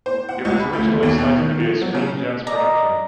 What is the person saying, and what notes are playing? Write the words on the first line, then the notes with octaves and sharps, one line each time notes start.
It was originally slated to be a Screen Gems production.
C5
F#5
C#2
B5
D2
A3
D#2
B2
D#3
F3
F#3
C#3
D5 D#5 A#5